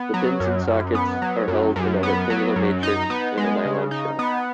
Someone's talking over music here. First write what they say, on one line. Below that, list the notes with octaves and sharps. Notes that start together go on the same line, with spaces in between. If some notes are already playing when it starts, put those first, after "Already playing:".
The pins and sockets are held in a rectangular matrix in a nylon shell.
Already playing: B3
F#3
F#2
F#2
B3
F#3
F#2
F#2
B3
F#3
F#2
D#4
B3
G#3
C#3
D#4
B3